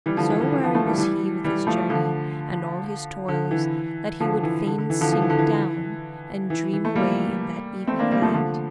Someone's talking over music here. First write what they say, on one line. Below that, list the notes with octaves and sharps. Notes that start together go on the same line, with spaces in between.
So weary was he with his journey and all his toils that he would fain sink down and dream away in that evening land.
E3 G3
D3 F3
E3
D3
E3
D3 F3
F3 A3
E3 G3
E3 G3
E3 G3
F3 A3
D3 F3
D3
E3
D3 F3
E3
D3
D3
E3
D3 F3
F3
E3
D3
E3
E3
E3
A3
G3 A#3
A3 C4
A#3 D4
G3 A#3
F3 A3
D3 F3